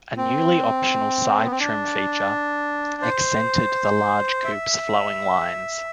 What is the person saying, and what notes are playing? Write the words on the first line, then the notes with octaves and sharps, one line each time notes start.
A newly optional side trim feature accented the large coupe's flowing lines.
C4
A3
B3
C4
D4
C5
E5